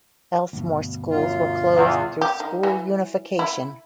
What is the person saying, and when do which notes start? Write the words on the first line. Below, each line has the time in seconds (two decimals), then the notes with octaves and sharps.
Elsmore schools were closed through school unification.
0.53 D2 G2 B2
1.11 F#2 F4
1.74 E2
2.21 G4
2.40 D#3
2.63 E3
3.39 E4